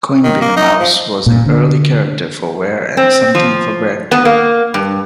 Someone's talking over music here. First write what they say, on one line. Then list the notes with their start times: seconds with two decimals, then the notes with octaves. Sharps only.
Quimby the Mouse was an early character for Ware and something of a breakthrough.
0.24 D#3
0.41 A#3
0.56 D#4
0.79 F3
1.26 A#2
1.46 D3
2.97 C4
3.35 F3
4.12 B3
4.25 A#3
4.74 G2